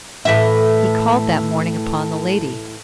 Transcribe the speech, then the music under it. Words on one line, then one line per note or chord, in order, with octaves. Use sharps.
He called that morning upon the lady.
A2 E3 E5